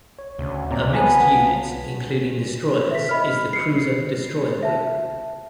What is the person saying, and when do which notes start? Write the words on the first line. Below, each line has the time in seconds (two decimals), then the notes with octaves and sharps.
A mixed unit including destroyers is the cruiser-destroyer group.
0.19 C#5
0.39 D2 C#3
0.71 A#2 C4 C#5 D5 A#5
0.93 C2 B3 G#5 A5 B6
1.32 F4
2.91 E5 B6
3.09 D#5 B5 F6
3.53 C7 C#7
4.63 E5 A5